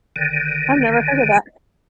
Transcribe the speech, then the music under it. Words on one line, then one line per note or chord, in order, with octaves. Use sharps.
I've never heard of that.
G1 D3 D#3